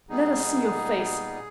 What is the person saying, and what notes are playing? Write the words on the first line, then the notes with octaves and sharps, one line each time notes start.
Let us see your face!
A#2 G3 B3 D#4 G#4